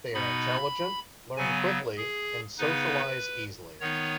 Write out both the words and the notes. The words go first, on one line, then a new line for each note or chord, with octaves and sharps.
They are intelligent, learn quickly, and socialize easily.
B2 B3 D#4 B5
C#3 F#3 B3 G#5
G#4
C#3 B3 D#4 B4
D#3 B3 D#4 C#5